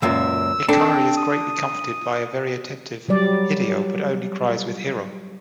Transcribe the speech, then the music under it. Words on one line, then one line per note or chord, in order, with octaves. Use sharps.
Hikari is greatly comforted by a very attentive Hideo but only cries with Hiro.
C#2 F#2 A#2 E6
C4 D4 A4
D#6
F#3 G3 D5